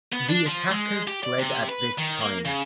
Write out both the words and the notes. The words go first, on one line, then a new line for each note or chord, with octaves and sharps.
The attackers fled at this time.
B3
D4
F3
G#3
G4
D5
C3
B4
D#3
A#3
C#3